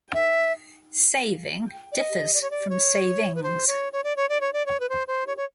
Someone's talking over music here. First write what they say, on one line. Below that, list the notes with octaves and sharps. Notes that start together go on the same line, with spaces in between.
"Saving" differs from "savings".
E5
D5
D#5
D5
C#5
D5
C#5
B4
C5
C#5
C#5
D5
C#5
D5
C#5
D5
C#5
B4
C5
C5
C#5
C#5